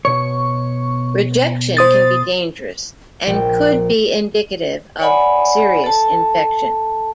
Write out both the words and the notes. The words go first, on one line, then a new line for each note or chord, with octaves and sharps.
Rejection can be dangerous and could be indicative of serious infection.
B2 C#5 C#6
C5 D#6 A6
A#1 G5
C#5 D5 F#5 G#5 B5
A4 A5